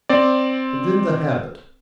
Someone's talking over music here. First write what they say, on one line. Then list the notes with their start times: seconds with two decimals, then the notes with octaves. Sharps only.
And then the habit!
0.09 C4 D5